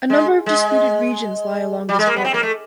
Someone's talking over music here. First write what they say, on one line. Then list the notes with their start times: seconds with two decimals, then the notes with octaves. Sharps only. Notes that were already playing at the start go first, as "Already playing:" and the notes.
A number of disputed regions lie along this border.
0.10 G#3
0.46 G#3
1.89 G3
1.99 G#3
2.07 A#3
2.16 B3
2.25 C4
2.34 A#3
2.43 A3